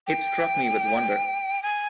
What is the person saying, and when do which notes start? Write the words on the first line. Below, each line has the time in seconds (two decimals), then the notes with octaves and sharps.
It struck me with wonder.
0.07 G5
1.62 G#5